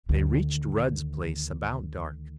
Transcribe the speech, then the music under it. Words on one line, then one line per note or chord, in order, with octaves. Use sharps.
They reached Rudd's place about dark.
D2 D#3